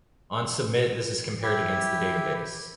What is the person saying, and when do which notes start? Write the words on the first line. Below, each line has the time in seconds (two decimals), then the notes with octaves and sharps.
On submit, this is compared against the database.
1.43 E4 G4